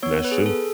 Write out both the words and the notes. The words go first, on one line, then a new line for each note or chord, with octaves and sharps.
That's true.
B3 C#5
B4
G#4
A4